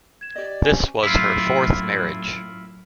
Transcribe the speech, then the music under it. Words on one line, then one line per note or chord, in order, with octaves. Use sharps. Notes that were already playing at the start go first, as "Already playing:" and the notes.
This was her fourth marriage.
G#6 E7
G4 D5 D#5
C#4 G4 C5 G#5
F#2 A2 E4 F4